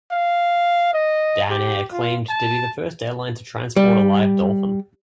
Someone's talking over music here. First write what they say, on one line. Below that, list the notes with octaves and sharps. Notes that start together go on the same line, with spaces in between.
Dan-Air claimed to be the first airline to transport a live dolphin.
F5
D#5
G4
F4
A5
G3